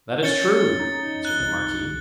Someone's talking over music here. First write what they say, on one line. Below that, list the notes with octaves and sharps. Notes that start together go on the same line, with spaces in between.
"That is true," answered the marquis.
C#4 A6 C#7 G7
D#4
F#6 G7
C2